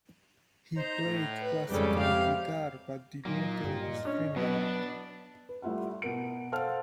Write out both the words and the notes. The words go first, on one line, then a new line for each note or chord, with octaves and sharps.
He played classical guitar but did not tell his friends about it.
D#4 C5 A#5
A2
B4
F2 G#2 C#3 G3 G4 A4
C3 G4 F5
A#2 F#3 A#3 D#4
G2 G4
D#5
C#4 D4
B2 F#3 B3 E4
D4
B4
G3 A3 E4 F4 F#5
B2 A#4 D7
A4 C5 F5 F#5 A5 F6